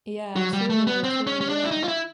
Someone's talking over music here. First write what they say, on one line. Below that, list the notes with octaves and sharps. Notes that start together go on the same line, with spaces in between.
Yeah, true, true, yeah.
F#3
G3
A3
B3
C4
C#4
C#4
D4
E4
D#4
F4
E4